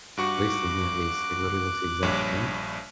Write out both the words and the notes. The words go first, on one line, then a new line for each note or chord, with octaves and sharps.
at least to me at least, like literally looks the exact same,
G2 F#4 C#6 D6 F#6
A#1 G2 C#5